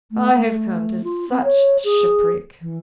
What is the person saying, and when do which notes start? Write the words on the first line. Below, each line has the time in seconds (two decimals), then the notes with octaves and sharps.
I have come to such shipwreck!
0.11 A3
0.36 A3
1.03 F4
1.29 C4
1.43 C#5
1.84 G#4
2.61 E3